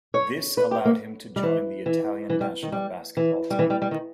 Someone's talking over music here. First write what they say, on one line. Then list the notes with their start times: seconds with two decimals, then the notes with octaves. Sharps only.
This allowed him to join the Italian national basketball team.
0.14 C#5
0.57 B4
0.71 G4
0.85 A#3
1.36 G3
1.43 E3
1.86 E3
2.30 E3
2.41 G3
2.63 D#3
2.72 G3
3.17 E3
3.50 G3
3.59 E3
3.70 G3
3.82 G3
3.91 D#3